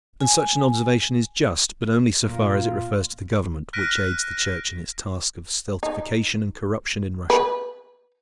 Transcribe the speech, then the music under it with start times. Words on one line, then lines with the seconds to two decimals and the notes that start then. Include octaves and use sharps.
And such an observation is just, but only so far as it refers to the government, which aids the Church in its task of stultification and corruption in Russia.
0.21 G#5
2.28 A#2 F4
3.73 F6 F#6 A#6 B6 D7 D#7
5.83 D#4
7.30 B4